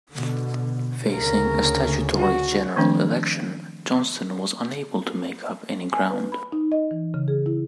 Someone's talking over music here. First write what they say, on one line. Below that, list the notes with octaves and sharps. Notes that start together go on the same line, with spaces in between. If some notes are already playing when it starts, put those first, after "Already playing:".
Facing a statutory general election, Johnston was unable to make up any ground.
B2 D3
D2 C#3 C#4 A#4
F#4
D#3 F3 A3 C4 D4
G#5
B4
B5
D#4
D#5
E3
C#3
G#4
E4